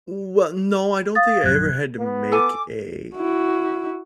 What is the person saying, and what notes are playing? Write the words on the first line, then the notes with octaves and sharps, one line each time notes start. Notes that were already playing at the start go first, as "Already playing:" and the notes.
Well, no, I don't think I ever had to make a
F5 D#6 A6
A#1 F#2 F#3 F#6 G#6
B3
A4 G#5 D6
E4 F#4